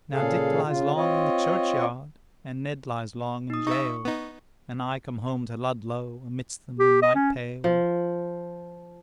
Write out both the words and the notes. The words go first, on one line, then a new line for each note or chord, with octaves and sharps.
Now Dick lies long in the churchyard, And Ned lies long in jail, And I come home to Ludlow Amidst the moonlight pale.
A#2 C#3 G#4 A4 F5
C#3 F4
C4 F4 C#5 D#5
D#4 D#6
D#4 E5 C#6
B3 D#4
G4
D#5
C#4
F3